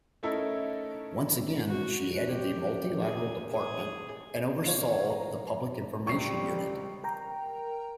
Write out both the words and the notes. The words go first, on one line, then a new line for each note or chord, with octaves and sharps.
Once again, she headed the multilateral department and oversaw the Public Information Unit.
A3 C#4 D#4 E4 A4 A#4
F#4
G4
G#4
G#4
E3 F4 C#5
A#5
C#2 G3 C5 C#6 C7
A#4 G5 A#5